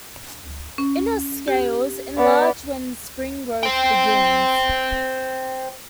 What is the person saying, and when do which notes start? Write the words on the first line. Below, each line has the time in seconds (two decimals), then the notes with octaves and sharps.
Inner scales enlarge when spring growth begins.
0.78 C#4
1.48 G4
2.17 B3 D5
3.63 C5 G5